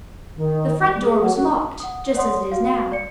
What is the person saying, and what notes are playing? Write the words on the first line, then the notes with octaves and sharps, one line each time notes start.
The front door was locked, just as it is now.
D#3
G3
G#4
F#3
F#4
F#5 D#6
C#5 D5 F#5 C6 D#6
F#4 F5
D5 C#7